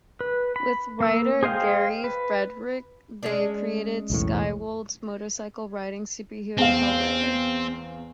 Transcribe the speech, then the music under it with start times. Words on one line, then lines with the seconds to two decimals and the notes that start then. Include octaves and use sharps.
With writer Gary Friedrich, they created Skywald's motorcycle-riding superhero "Hell-Rider".
0.21 B4
0.56 B5
1.01 A#3 E6
1.43 G#4 C5 D#5 F5 G5
2.04 B4
3.23 G#3 C#4 D4
4.10 B1 E2 A2
6.58 E2 C4 F5